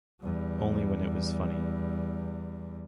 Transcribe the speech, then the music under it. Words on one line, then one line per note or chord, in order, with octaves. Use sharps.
Only when it was "funny"!
E2 G3